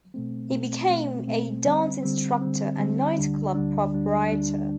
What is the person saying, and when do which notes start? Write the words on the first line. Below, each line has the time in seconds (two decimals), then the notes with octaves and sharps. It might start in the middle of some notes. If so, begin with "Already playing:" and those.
He became a dance instructor and nightclub proprietor.
0.14 B2 A3 C4
0.51 B2 A3 C4
0.90 B2 A3 C4
1.27 B2 A3 C4
1.65 D3 G3 C4
2.03 D3 G3 C4
2.42 D3 G3 C4
2.79 D3 G3 C4
3.18 D2 D3 G3 D4
3.55 D2 D3 G3 D4
3.93 D2 D3 G3 D4
4.31 D2 D3 G3 D4